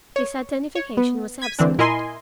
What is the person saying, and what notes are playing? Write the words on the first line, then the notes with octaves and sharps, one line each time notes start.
His identification was absolute.
C#5
C#5
B3
G#6 B6 D#7
D3 E3 C4 D4
A#2 E4 A#4 D#5 G#5 C6